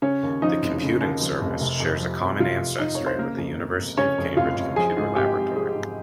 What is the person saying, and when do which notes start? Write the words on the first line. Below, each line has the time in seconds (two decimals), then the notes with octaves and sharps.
The Computing Service shares a common ancestry with the University of Cambridge Computer Laboratory.
0.02 C#3 C#4 C#5
0.23 D#2
0.42 F3 D#4 D#5
0.62 F1
0.82 C#3
1.01 D#2
1.21 F3
1.41 F1
1.61 C3
1.80 F2
2.00 F3
2.20 F1
2.39 C3 F4 F5
2.59 F2
2.79 F3 D#4 D#5
2.95 F1 C#5
3.06 C5
3.19 C#3 A#3 A#4
3.38 F2
3.58 F1
3.78 F1
3.97 C#3 C#4 C#5
4.18 F2
4.37 F1 F4 F5
4.57 F1
4.76 F3 G#4 G#5
4.97 G#2
5.16 G#1 G4 G5
5.36 G#1
5.56 F3 G#4
5.75 G#2